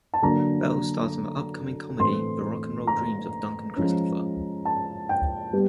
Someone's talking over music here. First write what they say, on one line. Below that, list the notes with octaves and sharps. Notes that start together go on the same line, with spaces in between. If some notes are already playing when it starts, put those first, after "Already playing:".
Bell stars in the upcoming comedy "The Rock 'n Roll Dreams of Duncan Christopher".
A5
D3 F#3 A#3 D4 A#5
A2 E3 A3 C4 C6
A#5
F3 G#3 C#4
A5
G5
G3 B3